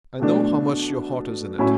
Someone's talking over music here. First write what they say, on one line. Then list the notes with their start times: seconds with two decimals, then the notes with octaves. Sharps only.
I know how much your heart is in it.
0.20 B2 A3 D4
1.59 A2 F#3 C#4 E4